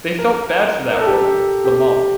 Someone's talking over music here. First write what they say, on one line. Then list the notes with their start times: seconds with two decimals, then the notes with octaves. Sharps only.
They felt bad for that woman, the mom.
0.19 A#4
0.92 A#4
0.99 A4
1.06 G4
1.13 A4
1.65 G4